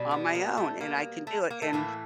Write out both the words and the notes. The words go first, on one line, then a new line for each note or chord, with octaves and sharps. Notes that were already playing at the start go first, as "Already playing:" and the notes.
On my own, and I can do it, and
Already playing: B2 G3
B3
A#3
A3
A#3
A3
A#3
A3
A2 E3 A3 A#3